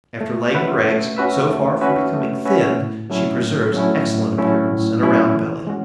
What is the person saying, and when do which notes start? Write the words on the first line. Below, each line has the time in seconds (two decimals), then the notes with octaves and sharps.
After laying her eggs, so far from becoming thin, she preserves an excellent appearance and a round belly.
0.21 A3
0.53 C#4 F#4 B4 E5
0.85 A3
1.17 C#4 F#4 B4 E5
1.49 A3
1.81 C#4 F#4 B4 E5
2.13 A3
2.45 C#4 F#4 B4 E5
2.78 A2
3.10 F#3 A3 C#4 E4
3.42 A2
3.74 F#3 A3 C#4 E4
4.06 A2
4.38 F#3 A3 C#4 E4
4.71 A2
5.03 F#3 A3 C#4 E4
5.35 E3
5.67 G#3 C#4 F#4